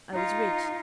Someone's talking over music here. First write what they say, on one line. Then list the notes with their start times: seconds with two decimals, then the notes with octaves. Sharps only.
I was rich.
0.13 D#4 F4